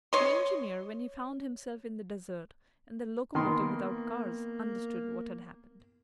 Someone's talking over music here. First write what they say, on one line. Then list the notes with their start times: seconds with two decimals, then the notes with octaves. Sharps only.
The engineer, when he found himself in the desert, and the locomotive without cars, understood what had happened.
0.13 C#5 D#5 C6
3.35 D#3 A#3 B3 C6 D6